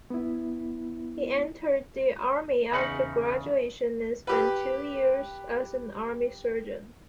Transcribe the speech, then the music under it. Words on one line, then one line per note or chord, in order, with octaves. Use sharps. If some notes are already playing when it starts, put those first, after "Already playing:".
He entered the army after graduation and spent two years as an army surgeon.
B3 E4
E2 C#3 D#4 F#5
G4 B4